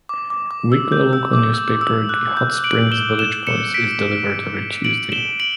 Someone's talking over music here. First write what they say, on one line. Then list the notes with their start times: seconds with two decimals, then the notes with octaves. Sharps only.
A weekly local newspaper, the "Hot Springs Village Voice", is delivered every Tuesday.
0.09 D6
0.30 D6
0.51 D6
0.72 E6
0.92 G6
1.13 E6
1.33 D6
1.54 E6
1.81 E6
2.09 F#6
2.37 G6
2.64 D7 F#7
2.92 E7 G7
3.19 E7 G7
3.47 C#7 E7
3.74 B6 D7
4.84 D7 F#7
5.12 E7 G7
5.40 D7 F#7